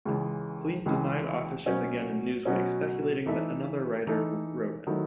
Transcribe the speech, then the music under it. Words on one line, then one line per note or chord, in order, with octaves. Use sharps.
Klein denied authorship again in "Newsweek", speculating that another writer wrote it.
C#2 C#3 E3 G#3
C#2 C#3 E3 G#3
B2 F#3 C#4
B2 F#3 C#4
E3 A3 D#4 A4 E5
E3 A3 D#4 A4 E5
D#3 F#3 A3 E4